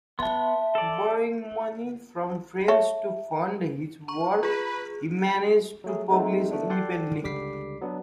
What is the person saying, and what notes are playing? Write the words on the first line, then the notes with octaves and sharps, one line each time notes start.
Borrowing money from friends to fund his work he managed to publish independently.
B3 E5 A5 C6
A4 D5
A4 C#5 E5
A#5 C#6
F4 G#4 B4
F#3 A3 G#4
G#3 A3 C4 D#4
D3 A3 B3 D4
A4 D5 F#5 G5 C6
C#2 D3 G3 D6 B6 C7
F#3 B3 D4